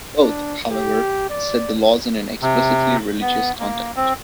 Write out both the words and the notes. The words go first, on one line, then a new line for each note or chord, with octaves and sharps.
Both, however, set the laws in an explicitly religious context.
D4
G4
D5
C3
B3
A#3
C4